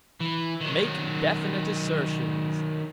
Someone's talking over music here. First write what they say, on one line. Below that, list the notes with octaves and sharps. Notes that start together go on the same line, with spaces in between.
Make definite assertions.
E3
D#3 F#3